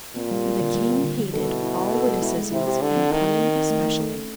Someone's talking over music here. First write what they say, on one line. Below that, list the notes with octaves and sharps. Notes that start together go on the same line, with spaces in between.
For the king hated all witticisms, and punning especially.
A#2 C4
G3
C4
D3
G3
C4
D3
G3
B2 A4
E4
E4
E4
A4
G#3
E4
G#3
C3 E4
G4
D3 G4
C4
D#3 E4
C4
C4
C4
A3
A3
A4
C#4